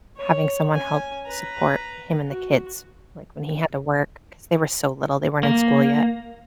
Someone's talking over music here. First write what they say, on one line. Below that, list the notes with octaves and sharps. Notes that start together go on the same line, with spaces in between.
having someone help support him and the kids, like, when he had to work- 'cause they were so little, they weren't in school yet-
C#5
C#4 G#5
B4 A#5
F#4
A#3